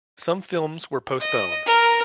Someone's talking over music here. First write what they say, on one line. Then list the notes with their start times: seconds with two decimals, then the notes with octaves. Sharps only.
Some films were postponed.
1.21 D#5
1.67 A#4